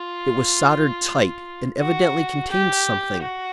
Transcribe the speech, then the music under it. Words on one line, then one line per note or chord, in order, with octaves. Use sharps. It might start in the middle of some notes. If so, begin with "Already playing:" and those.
It was soldered tight and evidently contained something.
Already playing: F4
F#4
G4
F#4